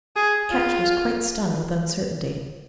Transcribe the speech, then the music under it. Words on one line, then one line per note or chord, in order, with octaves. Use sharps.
Ketch was quite stunned with uncertainty.
G#4
F4